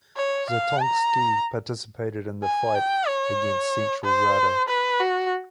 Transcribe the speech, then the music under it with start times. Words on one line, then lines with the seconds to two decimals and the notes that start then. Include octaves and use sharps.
Zatonsky participated in the fight against the Central Rada.
0.17 C#5
0.50 F5
0.82 A#5
2.44 G#5
2.75 G5
3.07 C#5
4.04 C5
4.69 B4
5.01 F#4